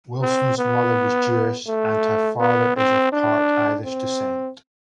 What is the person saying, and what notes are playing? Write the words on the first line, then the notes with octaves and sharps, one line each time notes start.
Wilson's mother was Jewish, and her father is of part Irish descent.
C4
B3
A3
B3
C4
D4
C4